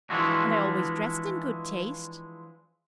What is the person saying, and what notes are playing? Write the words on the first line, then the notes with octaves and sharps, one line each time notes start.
"And I always dressed in good taste."
E3 F3 G#3 D4 E4 F#4